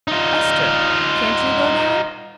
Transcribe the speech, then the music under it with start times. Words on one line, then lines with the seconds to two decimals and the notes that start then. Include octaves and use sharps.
Ester, can't you go down?
0.08 D#4 F4